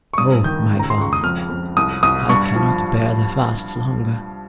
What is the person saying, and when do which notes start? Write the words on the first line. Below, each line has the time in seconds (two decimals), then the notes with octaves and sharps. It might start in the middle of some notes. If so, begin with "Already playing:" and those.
O my father, I cannot bear the fast longer!
0.13 C#6
0.18 G2 D#6
0.44 D#3 G6
0.71 C#2
0.79 A#5
0.90 C6
0.98 C#2 C#6
1.13 D#6
1.23 F2 F6
1.50 F2
1.77 C2 D#6
2.03 C2 D#6
2.29 G2 C#6
2.56 F3